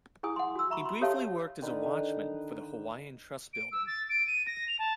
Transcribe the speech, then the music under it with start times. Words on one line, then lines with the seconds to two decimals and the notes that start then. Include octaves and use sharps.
He briefly worked as a watchman for the Hawaiian Trust building.
0.23 E4 G#4 G#5 D#6
0.36 F#5 C6
0.56 F#4 E6
0.70 E5 A#5 B5 C#6
0.85 C6
1.01 G4 A4 C#5 E5 F5 A5
1.62 D3 D#3 B4
3.53 D7
3.72 E6
3.87 A6
4.09 D7
4.27 D#7
4.46 A#6
4.68 F7
4.79 A5